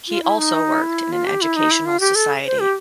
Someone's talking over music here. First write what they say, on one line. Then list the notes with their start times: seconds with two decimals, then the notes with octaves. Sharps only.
He also worked in an educational society.
0.08 F4
0.23 E4
0.38 D#4
0.82 E4
1.12 F4
1.26 G4
1.42 E4
1.56 D#4
1.71 E4
1.86 F4
2.00 G4
2.15 A4
2.45 C5
2.59 G4